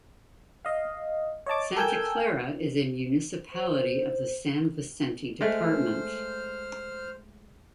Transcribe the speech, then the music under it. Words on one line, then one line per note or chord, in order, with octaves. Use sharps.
Santa Clara is a municipality of the San Vicente Department.
D#5 F5
C#5 D#5 A5 D6
A4 A#4 G5 G#5 E6 G6
C5
G#3 A3 C5 F6